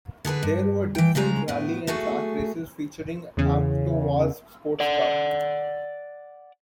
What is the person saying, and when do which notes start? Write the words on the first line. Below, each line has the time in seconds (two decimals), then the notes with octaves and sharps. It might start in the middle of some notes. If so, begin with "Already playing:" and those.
There were different rally and track races featuring Avtovaz sports cars.
0.25 D3 G#4 A4 B4
0.43 G2
0.95 E3 G5
1.15 C#3 F3 G#3 A#5
1.48 A2 B3
1.87 A3 F#4 G#4 A4
3.37 E2 C#3
4.80 D5 F#5